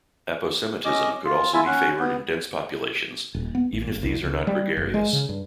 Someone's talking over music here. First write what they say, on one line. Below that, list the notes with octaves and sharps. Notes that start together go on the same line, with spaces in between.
Aposematism could also be favoured in dense populations even if these are not gregarious.
C#4 D#5 D6
F4
E4 F4 E5 G#5
C#4 F#5
B3
D#1
B3
A1
G1
C2
C#2
G3
F#1
G#3
C#3
G2